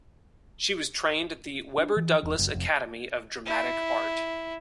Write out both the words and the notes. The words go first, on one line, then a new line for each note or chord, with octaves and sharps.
She was trained at the Webber Douglas Academy of Dramatic Art.
D4
E3
E1
F#1
F1
E4